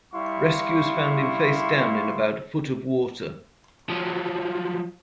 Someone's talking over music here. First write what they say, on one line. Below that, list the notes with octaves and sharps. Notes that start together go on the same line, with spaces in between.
Rescuers found him face down in about a foot of water.
G3 E4 F5 C6 C#6
F3 F#3